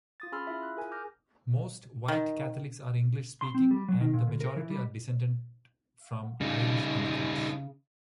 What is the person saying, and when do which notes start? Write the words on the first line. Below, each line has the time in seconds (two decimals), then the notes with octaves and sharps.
Most white Catholics are English speaking, and the majority are descended from Irish immigrants.
0.20 F4 D#6 A6
0.32 C#4 G#4 B5 C6 E6 F6
0.47 E4 F4 E5
0.63 F#6
0.77 G#4 A#4 G#5
0.92 D6 F6 G6 A#6
2.08 D#3
3.41 C6
3.55 C4
3.71 G3
3.88 F#3
4.01 D#3
4.14 A#2
4.27 D2
4.41 A#4
4.56 E3
4.70 G3
6.41 C#3 G3 D#4